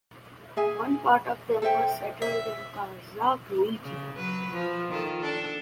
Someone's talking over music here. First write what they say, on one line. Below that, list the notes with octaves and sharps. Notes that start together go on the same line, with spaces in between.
One part of them was settled in Kazakh region.
G#4 E5 G#5
A4 C5 E5 G5
E5
C#3
F#3 B4
F3
D#3 F4 A4
D4 A4